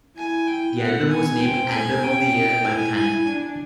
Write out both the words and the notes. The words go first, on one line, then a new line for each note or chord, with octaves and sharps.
The album was named "Album of the Year" by "Time".
E4 G#5
G5
B3 F#5
G#5
C4 G5
B3 G#5
C#4 G5
D#4
E4 G#5
G#5
D4